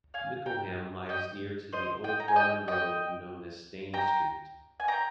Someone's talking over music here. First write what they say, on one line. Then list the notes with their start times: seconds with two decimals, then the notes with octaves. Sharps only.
Mickleham lies near to the old Roman road known as Stane Street.
0.14 F5 G#5
0.46 G5 A#5
1.09 D#5 G5
1.73 C5 D#5
2.04 D#5 G5
2.20 A#5
2.28 G#5
2.36 D#5 G5
2.68 D#5 G5
3.94 G5 A#5
4.80 G#5
4.88 G5 A#5